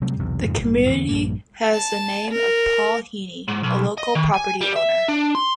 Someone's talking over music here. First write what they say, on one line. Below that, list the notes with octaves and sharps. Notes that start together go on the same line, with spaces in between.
The community has the name of Paul Heeney, a local property owner.
C3 F#3 G3 A3
B1 E2 G2 C3
F2 G#2 C#3 F3
A#1 G#2 G3
E2 D3 A3 B3
A#1 G2 A#3
A5
A#4
G#2
B1
D#5
D#3
G#5
G3
E5
D4
C6